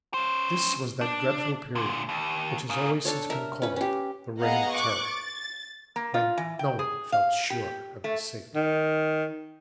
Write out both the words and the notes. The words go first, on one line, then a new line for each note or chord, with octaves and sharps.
This was that dreadful period which has always since been called "The Reign of Terror," when no one felt sure of his safety.
C#4 C5
D4
A#2 D3
D#2
A#3 G#4
D4 A4 C#5
A#4 E5
C#4 B4
C#4 G4
B3 G#4 D#5 F5 F#5 A#5
C#6 D6 F#6
A6
A#3
F4
E3
G5
G#4
F5
G4
A3
D#3